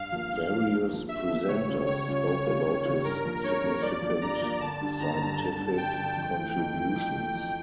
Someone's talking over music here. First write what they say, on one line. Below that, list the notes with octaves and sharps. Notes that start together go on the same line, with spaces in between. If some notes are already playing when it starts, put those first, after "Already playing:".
Various presenters spoke about his significant scientific contributions.
Already playing: G2 F5
F3 A#3
G2
F3 A#3
G2
F3 A#3
G2 E5
F3 A#3
C#2 C#5
C#3 G3 C#4 F4
C#2 C#5
C#3 G3 C#4 F4
C#2 C#5
C#3 G3 C#4 F4
C#2
C#3 G3 C#4 F4
G2 A#4
F3 A#3
G2 C#5
F3 A#3
G2 D5
F3 A#3
G2 A#5
F3 A#3
G1 A5
G2 D3
G1 A#5
G2 D3
G1 A5
G2 D3
G1 G5
G2 D3
F2
E3 A3
F2
E3 A3
F2 G5
E3 A3
F2